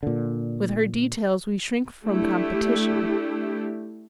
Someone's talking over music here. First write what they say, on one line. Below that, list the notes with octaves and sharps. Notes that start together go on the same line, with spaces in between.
With her details we shrink from competition.
A#2 D3
A3 D4 E4 G4